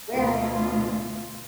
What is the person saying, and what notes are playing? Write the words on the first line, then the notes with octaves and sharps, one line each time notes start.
Yeah, yeah.
D2 B2 F4